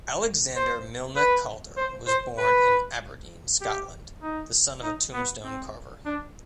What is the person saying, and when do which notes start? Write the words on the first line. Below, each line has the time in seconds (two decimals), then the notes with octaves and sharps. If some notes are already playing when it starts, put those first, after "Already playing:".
Alexander Milne Calder was born in Aberdeen, Scotland, the son of a tombstone carver.
0.56 C5
1.16 B4
1.77 C5
2.08 C5
2.38 B4
3.61 G4
4.22 D#4
4.83 D#4
5.13 B3
5.44 C4
6.06 D4